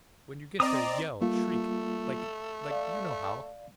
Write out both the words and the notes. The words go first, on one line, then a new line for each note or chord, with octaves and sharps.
When you get there, yell, shriek--like-- like--you know how!
C4 D5 D#5 A#5 D#6
G3 A3 A#3 F4
D5 F5